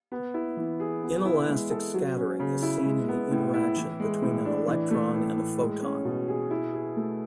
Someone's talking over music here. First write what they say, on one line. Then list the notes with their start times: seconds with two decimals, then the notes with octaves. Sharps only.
Inelastic scattering is seen in the interaction between an electron and a photon.
0.12 B3
0.34 E4
0.57 E3
0.80 G#4
1.03 B3
1.25 E4
1.48 G#3
1.71 A4
1.94 F#3
2.17 C#4
2.40 C#3
2.62 E4
2.85 G#3
3.08 B3
3.31 A2
3.54 E4
3.77 E3
4.00 G#3
4.22 A2
4.45 D4
4.68 E3
4.91 A3
5.14 A2
5.37 A2
5.59 G#3
5.82 C#4
6.05 B2
6.28 G#4
6.51 E4
6.74 G#4
6.97 A3